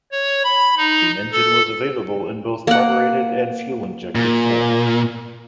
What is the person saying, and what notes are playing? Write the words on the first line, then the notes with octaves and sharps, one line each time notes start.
The engine was available in both carburetted and fuel-injected forms.
C#5
B5
D#4
A4
A#3 F#5
A#2